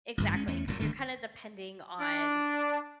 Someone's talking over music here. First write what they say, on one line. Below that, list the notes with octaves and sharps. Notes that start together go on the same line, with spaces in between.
Exactly, 'cause you're kinda depending on
A1 G2 D#3
G#3 C#4
E2 A3 C#4
F#1 F#2 A#2
G1 D3 D#3 A3
D4